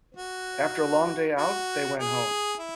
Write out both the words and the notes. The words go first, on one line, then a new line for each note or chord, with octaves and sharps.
After a long day out, they went home.
F#4
F#4
G#4
E4